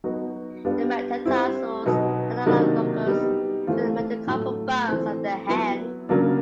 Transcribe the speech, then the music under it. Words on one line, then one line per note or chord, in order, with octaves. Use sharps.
The metatarsals are analogous to the metacarpal bones of the hand.
F#3 B3 D#4 F#4
G3 B3 D4 F4
G3 C4 E4
B2 F#3 B3 D#4
C3 D#3 F#3 A#3 D4
G3 B3 D#4
E3 A3 C4 F4
A2 F#3 A3
E3 A3 C4
F#3 B3 E4
C#3 F#3 A#3 D4